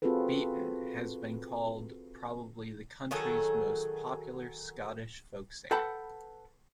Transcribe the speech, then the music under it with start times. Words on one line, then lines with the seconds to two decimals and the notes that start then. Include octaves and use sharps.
Beaton has been called probably the country's most popular Scottish folk singer.
0.02 C4 F4 F#4 G#4 A4 B4
3.11 D#3 F#3 G#4 A4
5.71 A4 B4 F#5 G5 A5 B5